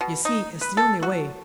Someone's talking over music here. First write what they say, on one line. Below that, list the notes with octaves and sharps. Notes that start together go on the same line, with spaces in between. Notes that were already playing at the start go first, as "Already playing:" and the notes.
You see it's the only way.
B2
D#4
B4
A4
F#4